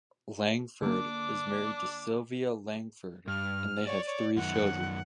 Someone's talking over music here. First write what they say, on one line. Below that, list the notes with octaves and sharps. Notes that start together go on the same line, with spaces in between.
Langford is married to Sylvia Langford and they have three children.
D3 A#3 D4 D6
G2 F6
C#5 D5
C#5
F#2 D#3 F#5